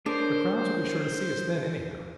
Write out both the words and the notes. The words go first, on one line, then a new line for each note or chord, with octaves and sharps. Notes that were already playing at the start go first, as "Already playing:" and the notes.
"The crowds will be sure to see us then, anyhow."
D4 G#4 A#4 C5 C#5